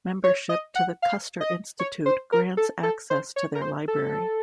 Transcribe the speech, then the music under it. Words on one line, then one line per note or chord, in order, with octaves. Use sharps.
Membership to the Custer Institute grants access to their library.
C#5
D#5
F#5
F5
D#5
C#5
C5
A#4
A4
A4
C5
C#5
A#4
C5
A4